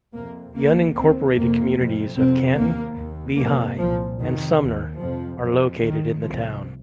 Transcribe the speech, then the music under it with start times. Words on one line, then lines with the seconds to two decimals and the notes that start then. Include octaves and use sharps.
The unincorporated communities of Canton, Lehigh and Sumner are located in the town.
0.15 F2 C3 A#3
0.55 D#2 A#3
0.95 D#2 C4
1.36 F2 C3 A#3
1.76 F2 C3
2.16 F2 C3 C4
2.57 D#2 A#3
2.98 D#2
3.38 F2 C3 A#3
3.78 C2 A#2 F3
4.18 F2 C3 D#3
4.59 D#2
4.99 F2 C3 F3
5.40 F2 C3
5.80 D#2 D#3
6.21 C2 C3 F3